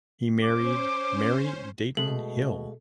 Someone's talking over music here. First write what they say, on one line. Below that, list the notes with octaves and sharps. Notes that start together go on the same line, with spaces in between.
He married Mary Dayton Hill.
C#4 C5 D6
B2 G#3 A3 F#7